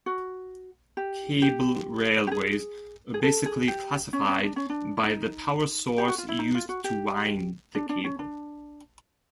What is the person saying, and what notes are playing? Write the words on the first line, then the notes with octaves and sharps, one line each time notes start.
Cable railways are basically classified by the power source used to wind the cable.
F#4
G4
G4
G4
G#4
G#4
A4
G#4
G4
C#4
C#4
D4
C#4
D4
E4
D#4
G4
F#4
F4
E4
D#4
F4
F#4
G4
D4
D4
C#4
D4